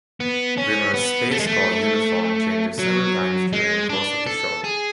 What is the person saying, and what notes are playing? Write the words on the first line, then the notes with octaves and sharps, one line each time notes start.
Rimmer's Space Corps uniform changes several times during the course of the show.
B3
C#4
B3
A3
G#3
A3
F#3
G#3
D4
A4
G#4